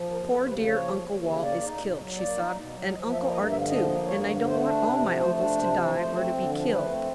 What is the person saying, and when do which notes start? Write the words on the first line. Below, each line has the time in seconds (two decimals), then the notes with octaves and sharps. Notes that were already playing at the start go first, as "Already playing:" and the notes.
"Poor, dear Uncle Wal is killed," she sobbed; "and Uncle Art too, and I don't want all my uncles to die or to be killed."
Already playing: F3
0.10 D#2 A#4
0.29 D#2 A4
0.44 C5
0.48 C#3 B4
0.66 F3 C#5
0.86 D#2
1.05 D#2
1.24 C#3
1.42 A#3 D5
1.62 D#4
1.81 B2
1.98 F#3
2.17 A#3 D5
2.36 D#4
2.55 B2
2.74 F#3
2.93 F3 D#5
3.12 A#3 E5
3.30 G2 D#5
3.50 D3 E5
3.68 F3 D#5
3.88 A#3
4.06 G2 C#5
4.25 D3
4.44 A3 C5
4.63 D4
4.81 C3 B4
5.00 F3
5.20 A3 C5
5.38 D4
5.57 C3 C5
5.77 F3
5.94 A3 C5
6.13 C4
6.33 D3
6.51 F3
6.70 A3 B4
6.89 C4